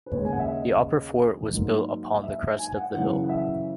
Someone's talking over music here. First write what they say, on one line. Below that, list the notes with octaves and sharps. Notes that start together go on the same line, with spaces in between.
The upper fort was built upon the crest of the hill.
B4
D#2 C#3 G#3 C#5
G#5
F#5
E5
D#5
G#2 F#3 A#3
E5
G#5
F#5
F#2 C#3 E3 F#5
F#5
E5